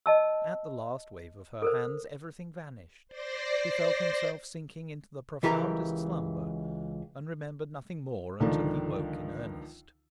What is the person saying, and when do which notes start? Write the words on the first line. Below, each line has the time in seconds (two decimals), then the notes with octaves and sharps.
At the last wave of her hands everything vanished, he felt himself sinking into the profoundest slumber, and remembered nothing more until he awoke in earnest.
0.06 D#5 A5 E6
1.62 A4 A#4 C5
3.08 C5 D5 C6 A#6
5.43 C#2 E3 G4 A#4 A#5
8.40 C#2 D3 D#3 F3 D#4 A4